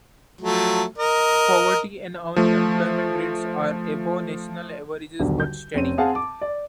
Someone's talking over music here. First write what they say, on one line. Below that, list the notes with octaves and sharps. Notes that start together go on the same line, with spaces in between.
Poverty and unemployment rates are above national averages, but steady.
F3 F#3 A3
A#4 D#5
F3 A3
D#1 B1 D3
G6
F1 C4 C#4 D#7
C4 G#4 F5 F#5 A5
A5 D6
D5